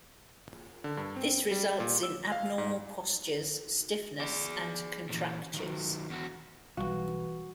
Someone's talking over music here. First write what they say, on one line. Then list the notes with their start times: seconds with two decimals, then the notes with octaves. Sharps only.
This results in abnormal postures, stiffness and contractures.
0.84 D3
0.97 G2
1.16 C4
1.51 G3
1.80 A#2
2.03 E6
2.32 F5
2.58 G#2
4.20 G#4 D5
5.09 A#2 E3
5.54 D#3 F#3
6.10 E2 F#4
6.77 B1 E3 G3 F#4